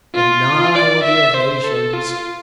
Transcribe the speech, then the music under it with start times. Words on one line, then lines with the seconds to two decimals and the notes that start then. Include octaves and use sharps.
The Niobe of nations!
0.15 F4
0.75 D5
1.04 E5
1.35 C5
1.64 A4
1.93 F4